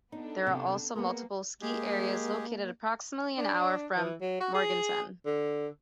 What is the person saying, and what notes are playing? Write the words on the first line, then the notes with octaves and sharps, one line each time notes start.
There are also multiple ski areas located approximately an hour from Morganton.
B3 D4 D#4 A4
C3
A#3 B3 G#4 A#4
G#3 A#3 G4 G#4
D4
E3
F#3
F#4
G#4
D3